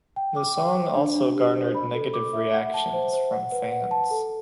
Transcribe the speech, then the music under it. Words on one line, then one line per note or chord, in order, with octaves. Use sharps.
The song also garnered negative reactions from fans.
G5
D6
G5
C5
D4
D4
G4
C5
B5
A4
D6
E5
F#5
A5
C5
C5
F#5
B4
F#5
A5
A4